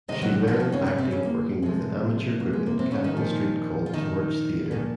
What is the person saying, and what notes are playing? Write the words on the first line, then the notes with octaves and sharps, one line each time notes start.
She learned acting working with an amateur group in Capel Street called Torch Theatre.
C3 D#3 D#4 D#5
F#3 F#4
F3 F4
D#3 D#4
C#3 C#4
C#3 C#4
C3 C4
C#3 C#4
A#3
C3 F3 G#3
A#3
G#3
A#3
C3 C4
C#3 C#4
D#3 D#4
A#2 F3
F4
D#3 D#4
A#2 D#3 F3 D#4